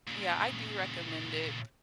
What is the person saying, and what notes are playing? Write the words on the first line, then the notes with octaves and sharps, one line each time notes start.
Yeah, I do recommend it,
A#2 C#3